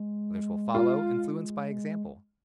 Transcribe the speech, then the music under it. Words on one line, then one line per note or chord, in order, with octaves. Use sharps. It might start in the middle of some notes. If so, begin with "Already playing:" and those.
Others will follow, influenced by example.
Already playing: G#3
F4